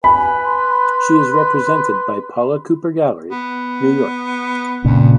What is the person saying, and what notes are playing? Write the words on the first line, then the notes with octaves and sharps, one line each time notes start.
She is represented by Paula Cooper Gallery, New York.
B4 G#5 B5
C6
B3
F2 A#2 C#3